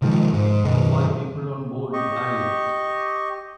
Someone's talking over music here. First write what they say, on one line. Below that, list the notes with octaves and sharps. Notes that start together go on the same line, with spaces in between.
The five people on-board died.
C3 D#3 F3 G#3
G#2
F#2 B2 D#3
G4 D#5 C#6